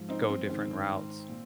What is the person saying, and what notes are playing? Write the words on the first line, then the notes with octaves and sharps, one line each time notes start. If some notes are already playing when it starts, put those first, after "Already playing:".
go different routes.
Already playing: G#2 F3
C4 D#4
C4
G#2 D#3
A#2